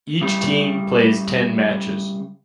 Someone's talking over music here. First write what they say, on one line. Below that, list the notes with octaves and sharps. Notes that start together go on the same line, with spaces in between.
Each team plays ten matches.
C#3 G3